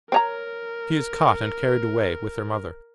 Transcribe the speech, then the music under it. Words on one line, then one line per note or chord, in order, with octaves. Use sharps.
"She is caught and carried away--with her mother."
C4 A#4 C#5 A#5